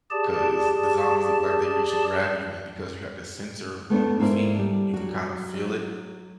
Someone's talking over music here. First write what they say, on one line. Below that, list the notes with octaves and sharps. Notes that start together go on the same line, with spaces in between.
'cause the zombies look like they reach and grab you, and because you got the sensors on your feet, you can kinda feel it
G4 G#4 D5 A5
A3 B3 C#4 D4
G#2 A#3 E4 D5
G3 D4
F#3 F#4